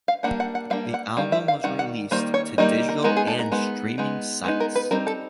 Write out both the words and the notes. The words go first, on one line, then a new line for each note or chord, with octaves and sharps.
The album was released to digital and streaming sites.
F5
G3 A#3 D4 F#5
F#5
F#5
G3 A#3 D4 F5
F#5
D#3 G3 F5
E5
F5
D#3 G3 F#5
F#5
D#3 G3 A#3 C5
C#5
D#3 G3 A#3 D#4 D#5
A#4
G#3 B3 D#4 A#4
G#4
A4
A#4
G#3 B3 D#4
G#3 B3 D#4
G#3 B3 D#4
A#4
B4
G3 C4 D#4 A#4
A4